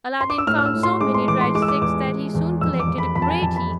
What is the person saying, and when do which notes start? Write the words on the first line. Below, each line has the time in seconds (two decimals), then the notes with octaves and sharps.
Aladdin found so many dried sticks that he soon collected a great heap.
0.21 C6
0.30 D6
0.38 E6
0.47 A2 F6
0.59 F6
0.65 E6
0.74 A2
0.83 C6
1.01 G#3 D6
1.14 C6
1.28 E3 D6
1.41 C6
1.55 G#3 D6
1.62 E6
1.68 D6
1.81 E2 D6
2.08 E2
2.35 E2
2.61 F2 E6
2.80 D6
2.88 F2
2.98 B5
3.15 F2 B5
3.22 A5
3.29 G#5
3.42 F2 A5
3.56 B5